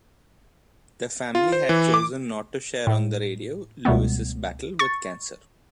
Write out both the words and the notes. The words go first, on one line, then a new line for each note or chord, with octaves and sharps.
The family had chosen not to share on the radio Lewis' battle with cancer.
F4
C5
E3
D6
A2
C#2 B2 G3 A3 B3
C#6 A6 C#7